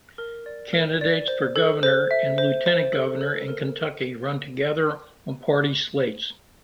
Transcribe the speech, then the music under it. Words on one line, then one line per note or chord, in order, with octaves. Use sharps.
Candidates for governor and lieutenant governor in Kentucky run together on party slates.
A#4
D5
A#4
D5
C5
A4
C5
E5
C5
C5
A4
A4
A#4